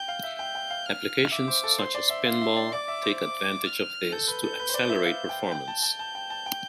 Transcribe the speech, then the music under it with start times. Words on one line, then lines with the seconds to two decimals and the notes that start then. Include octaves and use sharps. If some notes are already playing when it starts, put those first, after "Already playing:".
Applications such as Pinball take advantage of this to accelerate performance.
Already playing: G5 G6
0.08 F5
0.24 E5
0.39 G5 G6
0.55 G5
0.70 F5
0.86 F6
1.32 E5 D6
1.48 C5
1.64 A4
1.78 C5 C6
1.95 D5
2.10 E5
2.26 F5 C6
2.42 E5
2.57 D5
2.73 D5 D6
2.88 E5
3.03 C5
3.19 D6
3.66 F6
4.12 A4 G6
4.28 B4
4.43 A4
4.60 B4
4.69 C5
4.74 D5
4.90 E5
5.05 F5
5.29 G5
5.52 G5 G6
5.68 A5
5.83 A5
5.99 A5
6.15 G5
6.30 A5
6.46 G5